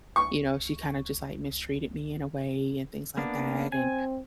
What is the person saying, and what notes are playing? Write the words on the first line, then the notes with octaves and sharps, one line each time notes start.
you know, "She kinda just, like, mistreated me in a way," and things like that, and
C#2 C#6
A#3 B3 D4
C4 G#5